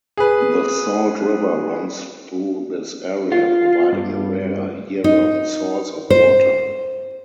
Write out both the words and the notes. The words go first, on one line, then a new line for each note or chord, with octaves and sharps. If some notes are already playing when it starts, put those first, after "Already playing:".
The Salt River runs through this area, providing a rare, year-round source of water.
G#4 B4
F4
G2
D#4
C5